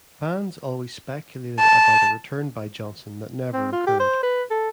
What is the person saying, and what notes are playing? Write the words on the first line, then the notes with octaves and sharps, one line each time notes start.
Fans always speculated about a return by Johnson that never occurred.
A5
C4
F4
G4
C5
B4
A4